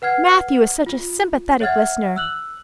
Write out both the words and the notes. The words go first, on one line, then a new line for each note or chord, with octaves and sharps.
Matthew is such a sympathetic listener.
B4 F#5 F6 G#6 C7
F4
C#5 E5 F#5 F6 G#6
E6 F#6 F#7